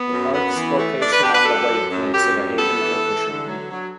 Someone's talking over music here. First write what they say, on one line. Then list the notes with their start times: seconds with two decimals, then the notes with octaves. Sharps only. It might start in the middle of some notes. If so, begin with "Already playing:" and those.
The park's location on the lake makes it a haven for fishermen.
Already playing: B3
0.11 F#2
0.32 B3
0.55 E3
0.78 A3
1.00 D4 D5
1.12 B4
1.23 D4 G4
1.34 B4
1.45 F#2 A4
1.68 F#2
1.90 F#2
2.13 F#2 G4
2.36 G2
2.57 B3 A4
2.81 E3
3.03 E3
3.25 D3
3.48 F#3
3.71 F#3